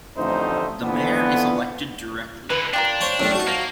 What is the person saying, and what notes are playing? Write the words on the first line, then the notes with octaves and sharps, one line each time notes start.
The mayor is elected directly.
A1 F2 D3 A3 D#4 C5
F2 D3 E3 B3
D3 E3 B4
A#3 D4 F4 G4
C5 C#5 G5
F#2 A2 G3 A3
D#4 F#4
F3 A#3